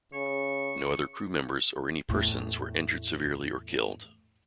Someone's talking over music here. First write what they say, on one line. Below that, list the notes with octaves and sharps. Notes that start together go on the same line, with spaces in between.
No other crew members or any persons were injured severely or killed.
C#3 C#6
E2 A2